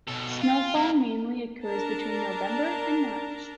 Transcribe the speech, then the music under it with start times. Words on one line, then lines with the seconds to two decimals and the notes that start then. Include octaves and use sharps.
Snowfall mainly occurs between November and March.
0.08 B2 A4
0.41 F4
0.75 A#3 E4
1.66 D4 A#4 A5 A#5